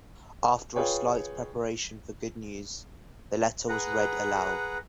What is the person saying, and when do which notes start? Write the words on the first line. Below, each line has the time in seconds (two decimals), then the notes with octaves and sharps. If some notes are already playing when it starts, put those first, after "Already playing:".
After a slight preparation for good news, the letter was read aloud.
0.76 F4 G#4 B4 C#5 G5
3.69 G#4 B4 F#5 A#5